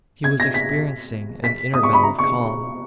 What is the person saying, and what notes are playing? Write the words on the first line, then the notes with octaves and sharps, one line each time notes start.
He was experiencing an interval of calm.
G#6
A#6
B6
B6
D#6
C#6
B5
A#5
C#6